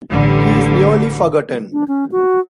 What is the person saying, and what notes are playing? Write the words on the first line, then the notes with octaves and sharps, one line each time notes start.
He is nearly forgotten.
A1 D3 G3
D4
C#4
F#4